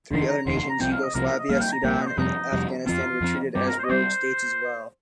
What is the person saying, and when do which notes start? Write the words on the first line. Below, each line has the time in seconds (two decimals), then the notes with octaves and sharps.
Three other nations, Yugoslavia, Sudan, and Afghanistan, were treated as rogue states as well.
0.11 F1 D#2 D#3 C6
0.29 A#5
0.46 F1 D#2 D#3 C6
0.58 C6
0.69 A#5
0.80 C2 C3 F3 C4 G5
0.92 F5
1.03 D#5
1.14 C2 C3 F3 C4 A#4
1.26 A#4
1.38 D#5
1.49 A#1 A#2 G3 A#3 F5
1.61 G5
1.72 A#5
1.84 A#1 A#2 G3 A#3 G5
1.95 G5
2.01 D#5
2.07 C5
2.18 F2 C3 G3 D#4
2.52 F2 C3 G3
2.87 F2 F3 C4 F4
3.21 F2 F3 C4
3.55 G2 G3 C4 G4
3.67 A#4
3.79 C5
3.84 D#5
3.90 G3 C4 C5